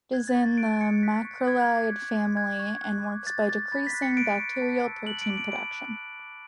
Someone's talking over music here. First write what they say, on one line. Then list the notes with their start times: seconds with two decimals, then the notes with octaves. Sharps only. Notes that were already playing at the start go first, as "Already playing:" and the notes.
It is in the macrolide family and works by decreasing bacterial protein production.
0.13 F#6 G#6
0.28 A6
0.35 C#6
0.43 A6
0.58 F#6 D7
0.81 C#6 C#7
1.02 F#6 B6
1.25 C#6
1.48 F#6 G#6
1.62 G#6
1.70 D6
1.93 F#6
2.16 D6
2.37 F#6 G#6
2.59 C#6
2.83 F#6
3.04 D6
3.27 F#6 A6
3.49 D6 A6
3.72 B5 A6
3.87 B6
3.94 F#6
4.02 C#7
4.17 F#6 D7
4.40 C#6
4.62 A5
4.85 E6
5.07 F#6 F#7
5.21 D7
5.30 D6
5.37 D7
5.51 B5 D7
5.74 F#6
5.97 F#6
6.19 D6